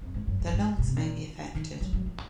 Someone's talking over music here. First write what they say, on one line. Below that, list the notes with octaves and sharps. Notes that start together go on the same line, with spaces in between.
The lungs may be affected.
F2
G#2
F#2
F#2
G#2
A#2
C3
A#2
D#3
F#3
F#3
F3